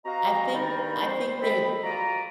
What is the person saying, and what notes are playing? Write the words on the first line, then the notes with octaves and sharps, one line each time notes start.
I think I think they're
C4 F#4 D#5 F5 A#5
G2 D#3 C4 D#4 D5 B5
C5
G4 A4 D#5 B5
F4 F#4 D5 D#5 A#5